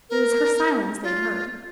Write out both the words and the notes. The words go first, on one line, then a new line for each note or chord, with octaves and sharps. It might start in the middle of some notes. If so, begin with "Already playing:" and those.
It was her silence they had heard.
A#4
F4